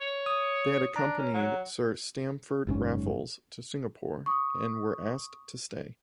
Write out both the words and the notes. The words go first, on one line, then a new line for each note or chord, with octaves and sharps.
They had accompanied Sir Stamford Raffles to Singapore and were asked to stay.
C#5
D#6
D4 A#5
C#4
F#3
F#1 G#2 C#3 C#4
C#6 D#6